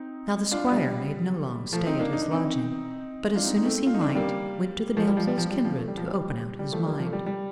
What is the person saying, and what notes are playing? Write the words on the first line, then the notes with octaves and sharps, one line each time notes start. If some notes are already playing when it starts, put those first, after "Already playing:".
Now the squire made no long stay at his lodging, but as soon as he might, went to the damsel's kindred to open out his mind.
Already playing: C4 D#4
D4 F4
G3
F3 A3
C4 D#4
A#3 D4
D#4
D4
C4 D#4
D4 F4
C4 D#4
C4 D#4
A3 C4
F4
D#4
D4
C4
G3 A#3
F3 A3
G3
F3
G3
F3
G3
F3
A3
G3
F3
G3
G3
F3 A3
G3 A#3
F3
A3
G3
G3